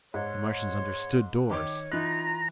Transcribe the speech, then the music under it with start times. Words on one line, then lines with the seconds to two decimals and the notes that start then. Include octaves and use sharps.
The Martians understood doors!
0.14 G#2 C#5 C6
1.50 D#3 C#5 D6
1.92 E3 D#4 F4 A#5 F#6